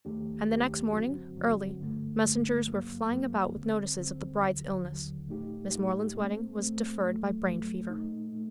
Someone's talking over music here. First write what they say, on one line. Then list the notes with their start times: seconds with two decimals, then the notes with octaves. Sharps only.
And the next morning, early, messengers were flying about with notices of the bride's illness.--Miss Moreland's wedding was deferred by brain fever.
0.05 D#2 D#3 A3 D4 G4
0.48 D#2 D#3 A3 D4 G4
0.92 G2 D3 F#3 C4 F#4
1.36 G2 D3 F#3 C4 F#4
1.80 G2 D3 A3
2.23 G2 D3 A3
2.66 G2 F#3 A#3
3.10 G2 F#3 A#3
3.54 D2 D3 G3 C4
3.97 D2 D3 G3 C4
4.40 D#2 D3 F#3
4.84 D#2 D3 F#3
5.27 A2 A3 D#4 G4
5.71 A2 A3 D#4 G4
6.15 A#2 A3 C4
6.58 A#2 A3 C4
7.02 G2 F#3 A3
7.45 G2 F#3 A3
7.89 A#2 A3 D#4
8.32 A#2 A3